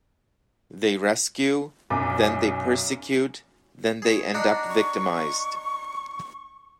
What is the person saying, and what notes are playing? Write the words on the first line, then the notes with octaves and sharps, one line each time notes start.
They rescue, then they persecute, then they end up victimized.
B1 F#2 D6
G#4 C#5
D4 D#4 F#4 D5
C#6